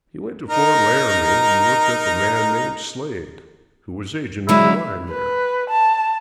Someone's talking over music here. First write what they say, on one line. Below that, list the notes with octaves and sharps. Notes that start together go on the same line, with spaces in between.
He went to Fort Laramie and looked up a man named Slade, who was agent of the line there.
D#4 A#4
D3 F#3 G#3 E4
B4
A5